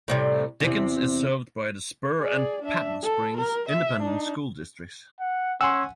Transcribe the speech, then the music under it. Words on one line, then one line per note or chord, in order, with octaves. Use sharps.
Dickens is served by the Spur and Patton Springs Independent School Districts.
A2 C3 G3
E2 C3
G#4 D5
D4 E5
A4
A#4
E5
D4 D#4
F#5
C#4 F#5 G#5 C6 E6